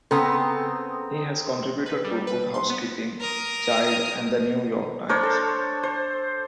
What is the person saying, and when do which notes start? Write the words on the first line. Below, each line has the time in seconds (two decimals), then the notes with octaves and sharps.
He has contributed to "Good Housekeeping", "Child", and "The New York Times".
0.11 C#3 B3 C4 A4 A#5 D#6
1.86 B4
2.04 G3
2.27 B4
2.54 C6
2.70 B3
3.21 A#4 D#6
5.09 D4 A#4 C5 C#5
5.23 A4
5.83 C5